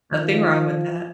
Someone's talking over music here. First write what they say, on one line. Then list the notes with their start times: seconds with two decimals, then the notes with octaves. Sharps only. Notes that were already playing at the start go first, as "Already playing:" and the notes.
Nothing wrong with that.
0.12 D#3 F3